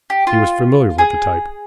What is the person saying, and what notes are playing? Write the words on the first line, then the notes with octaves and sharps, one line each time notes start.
He was familiar with the type.
G4
F4
G#4